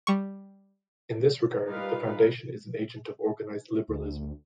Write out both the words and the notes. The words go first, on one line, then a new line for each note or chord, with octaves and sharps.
In this regard, the Foundation is an agent of organized liberalism.
G3 C#6
G3 D#4 F4 A#4 B4 F5
D2